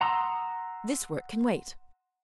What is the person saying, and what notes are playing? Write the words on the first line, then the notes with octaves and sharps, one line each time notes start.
'This work can wait.
F#5 A#5 C6 D#6 E6